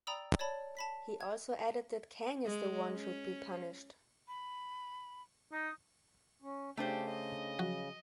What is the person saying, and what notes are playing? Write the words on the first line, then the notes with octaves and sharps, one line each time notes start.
He also added that Kang is the one should be punished.
D5 G5 A#5 B5 D#6 E6
C#5 D5 A5 B5
A5 B5 B6
G#6
G#3
C#4
B5
D#4 D#6
C#4
C#3 A3 D4 G4 C5 B6
D#5
F3 F#3 F#4